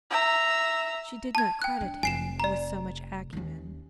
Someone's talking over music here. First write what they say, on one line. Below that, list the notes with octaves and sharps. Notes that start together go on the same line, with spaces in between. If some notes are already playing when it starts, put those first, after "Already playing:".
She did not credit him with so much acumen.
E5 A#5
A5 G#6
G5 F#6
D4
F1 G#5 C7 E7
D5 A#5
D#2 C#4